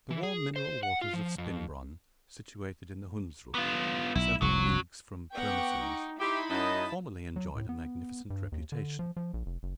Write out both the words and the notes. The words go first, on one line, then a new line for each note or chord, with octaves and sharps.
The warm mineral waters of Spinbronn, situated in the Hundsrueck, several leagues from Pirmesens, formerly enjoyed a magnificent reputation.
E3
G#4
C5
F#5
F4
F3
F2
B3 F4
B1 E4
F1 C2 F#3
B3 F#5 G5 A#5 C#6 D6
D#4
D#4 E4 G4 E5 B5 C6
F#2 D#5 A5
F#3
A2
B3
G2
D#2
D3
F3
F3
A#1
F1
F#1